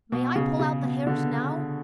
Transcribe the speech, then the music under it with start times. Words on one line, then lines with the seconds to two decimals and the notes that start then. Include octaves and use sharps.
"May I pull out the hairs now?"
0.12 B2
0.36 C#3
0.59 C#3
0.83 B2
1.07 D3